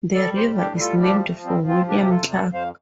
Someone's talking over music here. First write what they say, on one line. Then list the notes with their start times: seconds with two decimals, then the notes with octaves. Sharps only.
The river is named for William Clark.
0.14 G3 A4 D5
0.36 G4 C5
0.43 A2
0.57 D4 G4
0.72 G3
0.80 F4 A4
1.01 F3 D4 G4
1.23 A3
1.30 F3
1.44 G3 C4
1.59 F3
1.67 C4 F4
1.88 C3 D4 G4
2.02 G4
2.10 F4 A4
2.18 F2
2.32 A4 D5
2.47 F2
2.53 C5 F5